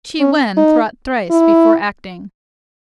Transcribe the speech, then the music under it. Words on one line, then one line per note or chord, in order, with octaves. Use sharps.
Chi Wen thought thrice before acting.
C#4
D#4
E4